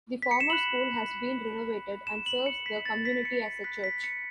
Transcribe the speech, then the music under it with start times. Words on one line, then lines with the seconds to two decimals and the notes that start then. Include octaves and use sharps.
The former school has been renovated and serves the community as a church.
0.22 B6
0.31 C#7
0.40 E7
0.50 B5 F#6 F#7
2.07 E7
2.26 F#7
2.46 C#7
2.66 B6
2.85 A6
3.05 B6
3.25 C#7
3.64 B5 F#6 B6
3.84 B6
4.04 C#7